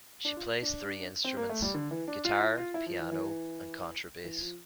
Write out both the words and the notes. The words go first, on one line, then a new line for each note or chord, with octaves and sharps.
She plays three instruments; guitar, piano and contrabass.
D4
F4
D4
C4
A#3
A3
G3
D3
E3
D4
F4
E4
F4
E4
F3
E3
E3
E3
F3